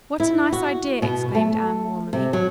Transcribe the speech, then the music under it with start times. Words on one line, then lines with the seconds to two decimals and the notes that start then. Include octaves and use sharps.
"What a nice idea!" exclaimed Anne warmly.
0.20 E4
0.53 F#4
1.02 B2
1.35 A3
2.13 C3
2.33 F#3